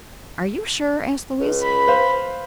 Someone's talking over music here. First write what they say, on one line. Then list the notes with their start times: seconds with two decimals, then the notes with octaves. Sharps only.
"Are you sure?" asked Louise.
1.40 C#2
1.61 B5
1.87 B4 C5 F5